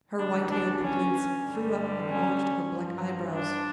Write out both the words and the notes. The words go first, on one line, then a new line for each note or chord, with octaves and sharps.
Her widely opened lids threw up and arched her black eyebrows.
D2 C#3 E3 D4
D4
C#4
G2 D3 G3
C#4
G2 F3
D4